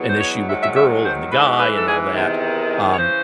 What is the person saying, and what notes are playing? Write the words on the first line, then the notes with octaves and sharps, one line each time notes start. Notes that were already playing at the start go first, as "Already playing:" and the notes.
an issue with the girl, and the guy, and all that, um,
Already playing: E2 B2 F#3
C5
C#5
G#2 D#3 F#3 E5
E5
E5
C5
G#2 E3 B4
B4
A4
G#4
E2 C3 D#3
C#5
C#3 E3 C5